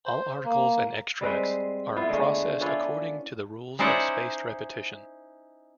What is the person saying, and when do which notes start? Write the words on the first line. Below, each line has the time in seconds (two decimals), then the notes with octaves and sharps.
All articles and extracts are processed according to the rules of spaced repetition.
0.06 C5
0.45 A#3
1.21 G3 G#3 C4 B4
1.96 B3 E4 F4
2.09 D3 G#3 A3
2.61 C#4 D4 E4 F4
3.79 C#4 D#4 E4 C5 D5 F#5